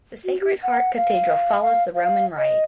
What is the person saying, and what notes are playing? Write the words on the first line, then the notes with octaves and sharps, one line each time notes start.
The Sacred Heart Cathedral follows the Roman rite.
F#4
G4
F#5
F5
F5
F5
D#5